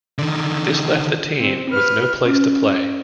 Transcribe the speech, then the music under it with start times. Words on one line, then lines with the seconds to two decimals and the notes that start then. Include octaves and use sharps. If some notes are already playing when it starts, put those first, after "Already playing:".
This left the team with no place to play.
0.19 D3 D#3
1.41 C4
1.70 B4 F6
2.25 C#4